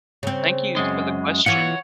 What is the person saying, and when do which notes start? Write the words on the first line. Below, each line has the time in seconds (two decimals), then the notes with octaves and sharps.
Thank you for the question.
0.23 C#3 C4
0.76 F#2 G#3
1.46 E3 E4 F4 C#5 F#5